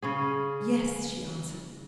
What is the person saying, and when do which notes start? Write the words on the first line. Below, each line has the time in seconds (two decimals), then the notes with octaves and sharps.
"Yes," she answered.
0.02 C#3 C#4 G#4